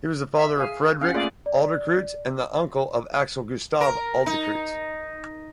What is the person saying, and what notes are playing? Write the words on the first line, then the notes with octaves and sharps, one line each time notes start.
He was the father of Fredrik Adlercreutz and uncle of Axel Gustav Adlercreutz.
E5
G#4 F5
C#4 F5 F#5
A3 A#3 F4 G#4 D5 F5
D5
A#4
D#4